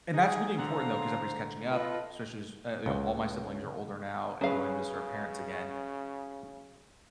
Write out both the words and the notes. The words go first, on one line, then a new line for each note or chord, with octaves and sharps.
And that's really important, though, 'cause everybody's catching up, especially as, you know, all my siblings are older now and going to visit our parents again.
D#4 G#4
D3 A4 C5 F5 F#5 A#5
F4 A4 B4 D#5
C#2
C#3 F#3 C#4 G#4 B4 F5